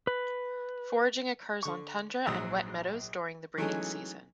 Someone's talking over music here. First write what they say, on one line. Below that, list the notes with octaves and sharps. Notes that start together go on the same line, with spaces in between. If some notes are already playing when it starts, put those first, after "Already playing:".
Foraging occurs on tundra and wet meadows during the breeding season.
B4
D3 C#6
A#1 G#2 F#3 D#6 E6
E3 F#3 G#3 A3 C#4 D#4